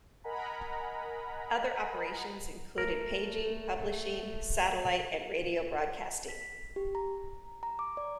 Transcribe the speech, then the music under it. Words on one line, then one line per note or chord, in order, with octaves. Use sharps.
Other operations included paging, publishing, satellite, and radio broadcasting.
A#4 D#5 F#5 G#5 A#5 B5
A3 A#4
B6
G4
A#5
A#5
D6
D5